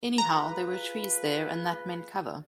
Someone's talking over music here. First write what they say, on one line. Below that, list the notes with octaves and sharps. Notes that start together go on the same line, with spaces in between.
Anyhow there were trees there, and that meant cover.
F4 G#4 B4 A#5